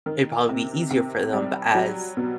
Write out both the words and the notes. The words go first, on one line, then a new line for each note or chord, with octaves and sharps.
it'd probably be easier for them. But as
D#3
C3
C3
G3
F#3
B2